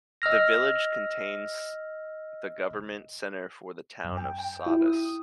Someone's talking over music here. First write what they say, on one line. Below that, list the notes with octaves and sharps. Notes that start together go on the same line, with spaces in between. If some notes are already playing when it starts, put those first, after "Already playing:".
The village contains the government center for the Town of Sodus.
D#5 E6 F6 A#6
F#2
G5
G5
E4
D#6